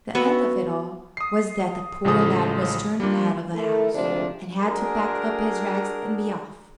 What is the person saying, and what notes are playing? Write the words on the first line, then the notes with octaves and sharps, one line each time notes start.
The end of it all was that the poor lad was turned out of the house, and had to pack up his rags and be off.
B3 F#4 E5
D#6 C7
A1 C#3 F3 G#3 A4 D#6
G3 A#3 D4 F4
A3 E4 A4 A#4
D2 G#2 C3 F3 D4
D4 F#4 G#4 A#4